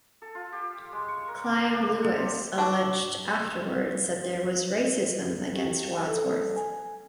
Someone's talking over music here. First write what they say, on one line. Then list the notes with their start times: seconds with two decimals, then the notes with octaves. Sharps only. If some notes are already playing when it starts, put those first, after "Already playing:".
Clive Lewis alleged afterwards that there was racism against Wadsworth.
0.22 A4
0.35 F4
0.52 G4
0.92 G#3
1.08 C#6
1.28 A#4
1.44 D4
1.60 D4
1.73 G4
1.87 E4
2.02 A4
2.17 C4
2.58 D4 F#4 D5
5.55 G4
6.07 A4
6.56 G#5